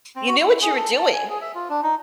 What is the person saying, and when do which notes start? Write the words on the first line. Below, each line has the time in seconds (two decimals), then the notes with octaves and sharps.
you knew what you were doing.
0.16 C4
0.28 F#4
0.40 E4
0.62 G#4
0.76 A4
0.97 A5
1.13 G#5
1.30 G#4
1.41 E5
1.55 F4
1.69 D4
1.83 D#4